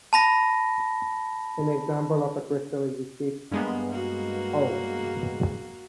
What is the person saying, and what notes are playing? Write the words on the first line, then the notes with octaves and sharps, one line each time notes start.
An example of a crystal is the sheaf "O".
A5 B5 A#6
G2 G#3 A#3 B3
A#3 F#4